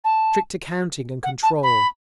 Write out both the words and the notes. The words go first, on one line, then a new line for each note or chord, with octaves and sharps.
Strict accounting and control!
A5
F#5
A5
B5